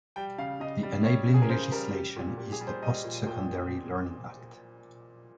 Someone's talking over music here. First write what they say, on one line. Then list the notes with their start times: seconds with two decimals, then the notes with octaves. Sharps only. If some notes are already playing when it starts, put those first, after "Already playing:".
The enabling legislation is the "Post-secondary Learning Act".
0.16 G3 G5
0.38 C#3 F5
0.60 C#3 D#5
0.83 G3
1.04 G3 C#5
1.27 C#3
1.34 G#4
1.42 A#4
1.49 C#3 C5
1.72 G3 A#4
1.93 G3 G4
2.09 G4
2.16 A#2
2.38 A#2 G4
2.52 G#4
2.61 G3
2.67 C5
2.82 G3 D#5
3.04 A#2
3.27 A#2 G5